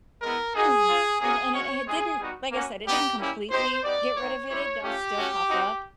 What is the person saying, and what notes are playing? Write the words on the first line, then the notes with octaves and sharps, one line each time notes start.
Mm, and it and it h didn't, like I said, it didn't completely get rid of it, it does still pop up,
G#3 B3 E4 A#4
A#3 D#4 F#4 G#4
C4 F4
A#3 C#4 F#4 G#4
G#3 C#4 F#4 C#5
G#3 C4 E4 G4 G#4
G3 B3 D#4 F#4
A#3 C#4 F#4
G3 B3 D#4 G4
G3 A#3 C#4 E4 G4
C4 D#4 G4 C5
B3 D#4 G4 D5
G3 A#3 D#4 C#5
G3 C4 E4 G4 C#5
A3 C#4 F4 G4
A3 C#4 F#4
C4 D#4 F#4